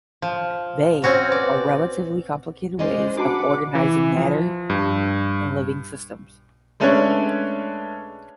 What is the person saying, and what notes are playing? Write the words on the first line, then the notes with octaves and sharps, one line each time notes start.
They are relatively complicated ways of organizing matter and living systems.
F3
C4 C#4 F#4 C5
B4 D5
G#3 C#4 C5 D5 D#5
D4 F#4 B4 F#5 A5 D6
E3
F3
G2
G#3 A3 C#4 D4 B4 C#5